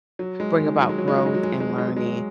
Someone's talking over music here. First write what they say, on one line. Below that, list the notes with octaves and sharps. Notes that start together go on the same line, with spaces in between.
bring about growth and learning.
F#3
G#3
D#3
F#3
G#3
F#3
G#3
F#3
G#3
F#3
G#3
F#3
G#3
F#3
G#3
F#3
G#3
F#3